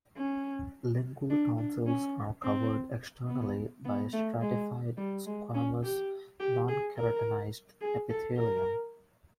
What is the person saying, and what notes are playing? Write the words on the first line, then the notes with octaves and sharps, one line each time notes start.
Lingual tonsils are covered externally by stratified squamous nonkeratinized epithelium.
C#4
D4
D4
C#4
C4
B3
B3
A3
G#3
G3
G#3
C#4
G4
G4
G#4
A#4
G#4
A4
A#4